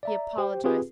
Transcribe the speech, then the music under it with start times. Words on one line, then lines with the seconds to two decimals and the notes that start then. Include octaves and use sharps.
He apologized.
0.03 D5 E5 A#5
0.38 G4 C5 G5
0.64 C4 F4 G4 G#4 B4